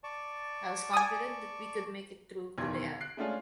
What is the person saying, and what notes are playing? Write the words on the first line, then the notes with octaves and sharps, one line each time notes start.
I was confident that we could make it through to the end.
D5 A5 C#6
G#5 D#6
B1 E2 D#3 C6 G#6
F#6 C7 D7
G#3 A3 C#4 D4 F4 G#4